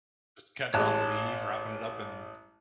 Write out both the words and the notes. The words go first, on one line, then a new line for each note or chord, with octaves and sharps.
Just cutting off a leaf, wrapping it up in
A1 G#3 C#5 A5 F#6